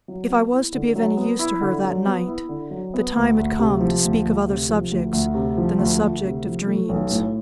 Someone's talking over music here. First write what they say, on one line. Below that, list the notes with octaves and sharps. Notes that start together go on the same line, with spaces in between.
If I was to be of any use to her that night, the time had come to speak of other subjects than the subject of dreams.
F#3
B3
E4
D3
F#3
B3
E4
D3
F#3
B3
E4
D3
F#3
B3
D2
D2
C3
F3
D2
D2
C3
F3
D2
D2
C3
F3
D2
D2
C3
F3
A3
B1
A2